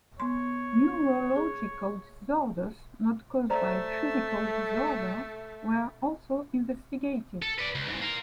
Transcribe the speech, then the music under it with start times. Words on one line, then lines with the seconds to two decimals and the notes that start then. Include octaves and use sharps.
Neurological disorders not caused by physical disorder were also investigated.
0.20 B3 C#5 C6
1.36 G#4
3.50 A3 C5 D5 A#5
7.42 A4
7.59 B4 D5
7.75 C#2
7.88 G#2 E3
8.02 F4 A#4